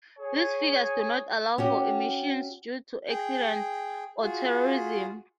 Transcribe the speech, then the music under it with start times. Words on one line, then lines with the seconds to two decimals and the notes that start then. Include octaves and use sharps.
These figures do not allow for emissions due to accidents or terrorism.
0.19 G#4 C#5 G#5
1.58 C#4 F#4 G4
3.09 G#4 G5
4.21 F4 F#4 G#4